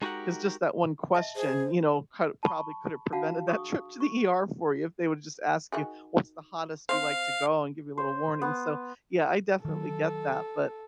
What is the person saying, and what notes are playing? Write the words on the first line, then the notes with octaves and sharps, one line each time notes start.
'Cause just that one question, you know, could a probably could have prevented that trip to the ER for you, if they woulda just asked you "What's the hottest you like to go?" and give you a little warning, so, yeah, I definitely get that, but
G#3 D#4 F#4 G4 A#4 F#5
D#5 E5 A5
G#4 C5
A5 B5 C#6
D4 F#4 F5 F#5 A5
G#4 C#6 D#6
C#6
D#3 F#4 G#4
C4 C5 F5
C5
B3
D#3 F#3 A4